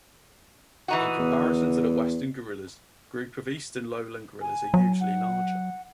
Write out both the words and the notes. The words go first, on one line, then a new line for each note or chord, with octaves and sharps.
In comparison to the Western Gorillas, groups of eastern lowland gorillas are usually larger.
E3 D#4 F#4
E2
G#5
F#3
F#5